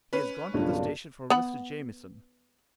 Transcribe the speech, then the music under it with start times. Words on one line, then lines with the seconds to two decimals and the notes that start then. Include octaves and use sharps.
He has gone to the station for Mr. Jamieson.
0.13 C#4 B4
0.54 B1 G2 A#2 C#3 F#3 A#3 D4 F4
1.30 B3 F#5 B5